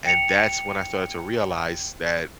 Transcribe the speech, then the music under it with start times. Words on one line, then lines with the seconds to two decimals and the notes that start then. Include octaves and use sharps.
and that's when I started to realize that
0.05 G5 C#7 F7